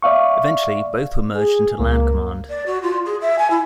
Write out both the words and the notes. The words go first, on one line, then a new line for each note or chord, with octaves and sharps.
Eventually, both were merged into Land Command.
D5 E5 F5 C#6
G#4
C#2 A#3
D5
F#4
F4
G#4
E5
G#5
E4